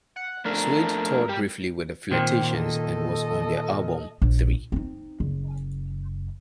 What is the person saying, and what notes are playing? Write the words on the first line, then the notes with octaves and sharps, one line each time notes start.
Suede toured briefly with The Flirtations and was on their album, Three.
F#5
F2 A3 D4 A#4
G3 G4
A#2 D#3 C4
A4 D#5
A#1
C4 D#4
F#1